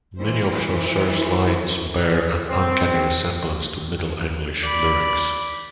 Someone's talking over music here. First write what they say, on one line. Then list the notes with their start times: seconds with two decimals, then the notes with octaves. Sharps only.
Many of Chaucer's lines bear an uncanny resemblance to Middle English Lyrics.
0.18 E3 C5
2.50 C4
4.62 D5 B5